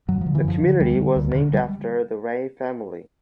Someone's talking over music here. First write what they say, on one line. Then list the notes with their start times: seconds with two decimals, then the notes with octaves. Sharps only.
The community was named after the Ray family.
0.08 F#2 F#3
0.21 F3
0.26 D3
0.35 E3
0.45 F#2 F3
0.63 D3
0.80 D2 G3
0.99 D3
1.16 D2
1.35 D3
1.53 G3